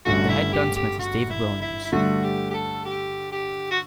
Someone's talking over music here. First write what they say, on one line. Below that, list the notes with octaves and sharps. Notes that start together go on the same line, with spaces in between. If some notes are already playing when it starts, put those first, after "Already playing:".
The head gunsmith is David Williams.
G1 G2 D3 A3 C#4 F#4
E4
G4
G4
F#4
E4
E4
E4
G2 D3 A3 F#4
G4
G4
A4
G4
G4
F#4